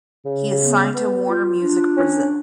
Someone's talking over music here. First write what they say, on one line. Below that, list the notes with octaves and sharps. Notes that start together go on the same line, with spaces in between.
He is signed to Warner Music Brasil.
C#3
B3
B3
F4
D4
C#4